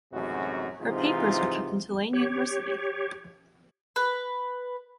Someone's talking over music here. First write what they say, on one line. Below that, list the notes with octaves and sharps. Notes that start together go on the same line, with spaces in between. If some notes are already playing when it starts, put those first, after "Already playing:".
Her papers are kept in Tulane University.
A1 F#2 C3 G#3 D#4 F#4
G#2 C3 E3 D#4 F4
G4 C#5
B4